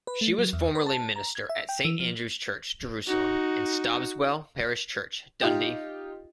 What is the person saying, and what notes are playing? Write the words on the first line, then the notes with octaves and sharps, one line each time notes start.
She was formerly minister at Saint Andrew's Church, Jerusalem and Stobswell Parish Church, Dundee.
B4
A3
F#3
E2
B4
A5
A#5
G#6
E5
G5
E3
F3
D#4 F#4
D#4 F4 G4 D#5 G5